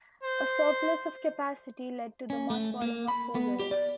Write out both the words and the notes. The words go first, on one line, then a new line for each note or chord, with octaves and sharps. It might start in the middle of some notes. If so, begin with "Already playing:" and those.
A surplus of capacity led to the mothballing of four units.
C5
C#4
A3
A#3
B5
B3
G4
D5